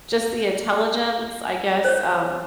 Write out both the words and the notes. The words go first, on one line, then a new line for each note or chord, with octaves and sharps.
just the intelligence, I guess, um,
C5 C#5